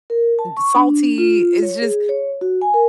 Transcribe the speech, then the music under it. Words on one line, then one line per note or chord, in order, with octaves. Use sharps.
salty." It's just
A#4
A5
C#6
D4
F4
C#5
G#4
C#5
F#4
G#5
A#4